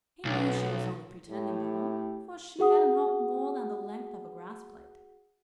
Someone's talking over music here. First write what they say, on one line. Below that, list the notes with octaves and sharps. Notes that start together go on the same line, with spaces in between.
He knew she was only pretending, though, for she hadn't hopped more than the length of a grass-blade.
B1
A2 G4
F#4 G#4 F#5 D#6